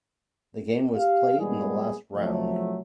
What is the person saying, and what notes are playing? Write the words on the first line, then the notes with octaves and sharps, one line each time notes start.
The game was played in the last round.
G4 F5
A#2 G3 G#3 B3 G#4
C2 F3 F#3 A3